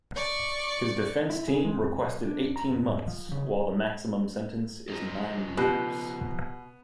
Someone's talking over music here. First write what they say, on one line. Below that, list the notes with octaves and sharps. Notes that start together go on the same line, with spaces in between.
His defense team requested eighteen months, while the maximum sentence is nine years.
D5 C#6
E4
G#4
G#3
F2
B1
D4
A#5
F2
G#2
F3
C#3
F3 D#4
B2 B3 F4 G4